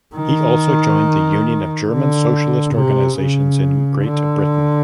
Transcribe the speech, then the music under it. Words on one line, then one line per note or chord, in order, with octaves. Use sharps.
He also joined the Union of German Socialist Organisations in Great Britain.
D#3
D3
C3
C#3
D3